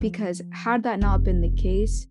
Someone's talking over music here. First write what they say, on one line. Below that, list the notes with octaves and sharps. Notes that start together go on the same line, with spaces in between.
Because had that not been the case,
F3
F1 E2